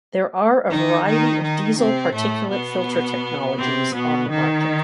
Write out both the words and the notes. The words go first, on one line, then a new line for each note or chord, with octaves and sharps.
There are a variety of diesel particulate filter technologies on the market.
D#3 D#4
D#3 D#4
D#3 D#4
C3 C4
A2 A3
B2 B3
C3 C4
B2 B3
D#3 D#4